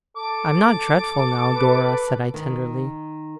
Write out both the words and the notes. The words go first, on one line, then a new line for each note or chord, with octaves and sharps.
'I am not dreadful now, Dora?' said I, tenderly.
A4 D6
B4
D#3